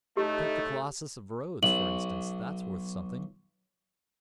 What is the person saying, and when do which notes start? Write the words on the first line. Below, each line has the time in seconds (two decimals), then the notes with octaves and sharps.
Take the Colossus of Rhodes, for instance, that's worth something.
0.17 A2 A3 D#4 G4
1.63 B1 F#7